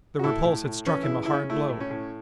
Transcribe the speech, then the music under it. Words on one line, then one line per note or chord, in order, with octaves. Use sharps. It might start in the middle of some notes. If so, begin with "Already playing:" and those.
The repulse had struck him a hard blow.
F#4
A2 E4 A4
A2
A2
E3 C#4
E4
C#3
C#3 E4
C#4
A3 E4
A2
C#4
A2